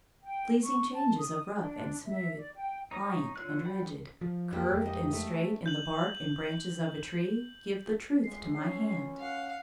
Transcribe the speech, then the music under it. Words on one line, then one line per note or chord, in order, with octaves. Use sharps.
The pleasing changes of rough and smooth, pliant and rigid, curved and straight in the bark and branches of a tree give the truth to my hand.
G5
C#6
A5
D#6
D4
E5
D5
G5
D#4 C#5 A#5 D#6
D3 F4 C#5 F#6
D5 F#5 G5 B5
F3
F2 A#3 G4
F2 G#3
D#5
A3
G6 F#7
G#3 C7
C#4
F5 F#5